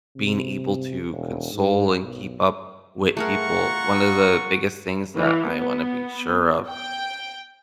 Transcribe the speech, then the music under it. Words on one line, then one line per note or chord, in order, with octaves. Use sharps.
being able to console and keep up with people. One of the biggest things that I wanna be sure of
C3
E1
G#2
B1
A3 F4 G#4 A#4 F#5 A#5 C#6
E3
B3
G5